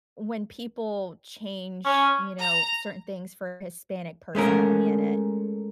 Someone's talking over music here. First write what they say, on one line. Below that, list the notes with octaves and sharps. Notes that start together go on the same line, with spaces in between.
when people change, you know, certain things for a Hispanic person to be in it.
C#4
A#5
G#3 A3 C#4 A#4